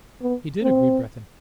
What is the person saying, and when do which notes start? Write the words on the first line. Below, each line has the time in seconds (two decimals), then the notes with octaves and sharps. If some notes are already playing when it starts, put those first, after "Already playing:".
"He did," agreed Breton.
0.22 B3
0.63 C4